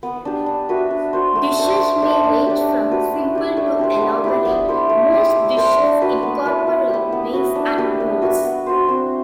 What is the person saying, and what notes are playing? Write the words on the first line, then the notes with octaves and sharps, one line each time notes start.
Dishes may range from simple to elaborate; most dishes incorporate maize and moles.
B3
D4 G4
D4
F#4 B4 E5
D4
F#4 C5
A3
D4 A4 C5
A3
D4 A4 C5
D4
G4 B4 D5
D4
F#4 B4
E4
G4 D5
A3
D4 G4 C5
B3
E4 G4 D5
B3
E4 A4 C5
A3
E4 G4
E4
A4 C5
D4
F#4 B4
B3
E4 B4
B3
E4 G4
B3
F#4 B4
D4
G4 B4
D4
F#4 B4 E5
B3
F#4 C5
C4